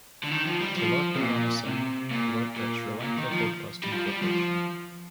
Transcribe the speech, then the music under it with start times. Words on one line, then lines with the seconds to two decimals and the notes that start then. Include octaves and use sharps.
Tilaka Ranasinghe worked at Sri Lanka Broadcasting Corporation.
0.23 D3
0.31 D#3
0.46 F3
0.61 G3
0.76 F3
1.16 C3
1.21 A#2
1.67 C3
2.11 A#2
2.56 A#2
3.02 A#2
3.17 D#3
3.32 F3
3.84 G3
3.92 F3
4.07 G3
4.22 F3